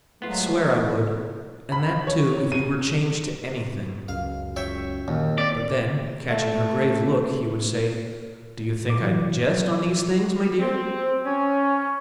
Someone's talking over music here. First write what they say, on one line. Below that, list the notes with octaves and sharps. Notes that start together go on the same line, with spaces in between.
I swear I would, and that too if you were changed to anything." But then, catching her grave look, he would say: "Do you think I jest on these things, my dear?
G#2 F#3 A3 B3 F4
B5
C#5
D#7
C#2 F#2 F5
C#5 E5 G5
D#2 A#2
C4 D5
A3
A#2 D6
C3 E3 F#3
F#3
C4
C#4